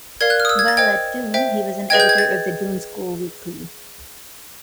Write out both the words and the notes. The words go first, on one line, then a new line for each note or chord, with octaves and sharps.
While at Doon, he was an editor of The Doon School Weekly.
A#4 D5 F5 G#6
F#6
F6
D#6
E6
G#6
A6
C5 D#5 G5 G#6
C5 E5 G5
G#4 B4 D#5 G5 G#6
G6
G#6
A6